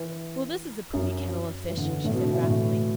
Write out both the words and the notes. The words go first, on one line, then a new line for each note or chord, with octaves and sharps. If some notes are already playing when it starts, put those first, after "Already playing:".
"Well, this is a pretty kettle of fish," she said wrathfully.
Already playing: E3
F#2 F#3
E3
D3
E3
A2 A3
B2 B3
D3 D4
E3 E4
A2 A3